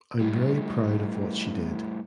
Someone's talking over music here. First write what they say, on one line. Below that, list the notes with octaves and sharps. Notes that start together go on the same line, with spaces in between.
I’m very proud of what she did.
A2 G3